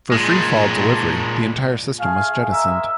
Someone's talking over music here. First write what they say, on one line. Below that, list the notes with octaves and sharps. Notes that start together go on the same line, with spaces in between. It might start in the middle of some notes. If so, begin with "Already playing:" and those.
For free-fall delivery, the entire system was jettisoned.
A#2 G#3
A3 G#4 F5
G#3 A#3 A#4 E5